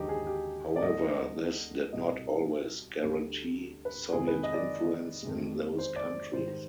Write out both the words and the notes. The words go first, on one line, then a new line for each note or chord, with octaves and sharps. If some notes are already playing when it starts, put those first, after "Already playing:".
However, this did not always guarantee Soviet influence in those countries.
Already playing: D#2 D3 F3 G#3 D#4 G4
G#4
G4
D5
D2 D3 G#3 D#5
C2 B2 G3 D#5
D2 D3 G3
B4
F2 C3 D#3 G#3 G#4
B4
D#5
D5
F2 D#3 G#3
C5
D5
G#2 D#3 G3 C5